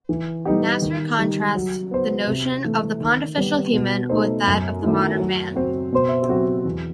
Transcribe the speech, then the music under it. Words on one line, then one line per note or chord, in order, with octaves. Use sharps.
Nasr contrasts the notion of the pontifical human with that of the modern man.
E3
G3 B3 D#4 G4
D#3
G3 D#4
F#3
B3 F#4 C5
C3
E3 A3
D#3
G3 B3
B2
A3 D#4 A4 C5
F#2
D#3 F#3 A3 E4
F#3
C4 F#4 C5
B2
F#3 C4 F#4
E2